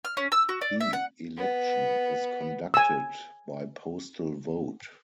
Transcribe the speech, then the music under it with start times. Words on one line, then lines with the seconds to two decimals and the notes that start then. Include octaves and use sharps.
The election is conducted by postal vote.
0.05 F6
0.17 C#4
0.32 E6
0.49 F#4
0.61 D5
0.81 E5
0.93 F#5
1.38 B3
2.74 G#5 E6